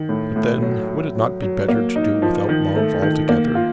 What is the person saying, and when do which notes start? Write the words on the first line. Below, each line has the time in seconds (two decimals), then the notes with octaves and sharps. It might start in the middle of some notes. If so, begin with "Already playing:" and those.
But then would it not be better to do without love altogether?
Already playing: D#3
0.09 A2
0.36 A2
0.62 F#3
0.89 F#3
1.15 F#3
1.42 F#3
1.68 A#3
1.96 D#4
2.22 F3
2.49 D#3
2.76 A3
3.02 D#3
3.29 A#3
3.55 F4